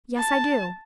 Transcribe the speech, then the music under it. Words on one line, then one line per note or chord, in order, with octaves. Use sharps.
"Yes, I do."
A5